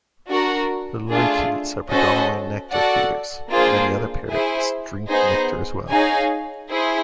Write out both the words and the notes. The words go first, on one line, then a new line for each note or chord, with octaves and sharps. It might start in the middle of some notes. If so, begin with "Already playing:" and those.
The lorikeets are predominantly nectar feeders; many other parrots drink nectar, as well.
D4 F#4 A#4
A3 D4 F4 G#4
C#4 F#4 A4 C5 D#5
F#4 A4 D5 F#5
A#3 D4 F4 G#4 C5
E4 G#4 C5
B3 D#4 G#4 C5
D#4 G#4 C#5 F5 G#5
E4 G#4 C5